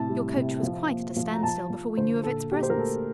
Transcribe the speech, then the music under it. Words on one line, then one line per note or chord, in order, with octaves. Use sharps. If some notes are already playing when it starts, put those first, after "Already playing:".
Your coach was quite at a standstill before we knew of its presence.
Already playing: A2 C3 A5
G3
C3
F3
A#3
F3
A#5
F3 A5
F3
D3 C5
A#2 A4
A#2 G4
C5
A#4
A3 A4